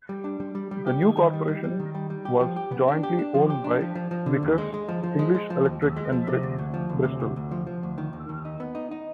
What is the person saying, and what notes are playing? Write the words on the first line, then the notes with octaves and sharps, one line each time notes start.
The new corporation was jointly owned by Vickers, English Electric and Bristol.
G3
D4
G3
G3
G3
G4
D#3
D#3
G3
G3
G3
D#3
G3
G3
G4
F3
G4
B3
D4
G4
D4
F3
G4
D4
F3
F3
F3
D3
D#2
G#3
G#3
F3
F3
G#3
G#3
F3
D#2
D#2
G#3
F3
C3
D2
D2
F3
D2
C3
D2
D2
F3
F3
D2
D#3
D#2
D#2
D#4
B3
D#4
D#4